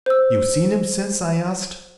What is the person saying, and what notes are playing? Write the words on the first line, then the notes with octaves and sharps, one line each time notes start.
"You've seen him since?" I asked.
C5 E6